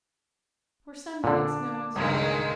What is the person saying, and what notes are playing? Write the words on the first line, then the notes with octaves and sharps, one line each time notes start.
For some minutes no one spoke.
A#2 D3 D4
C#2 G2 D#3 G#3 A#3 G#4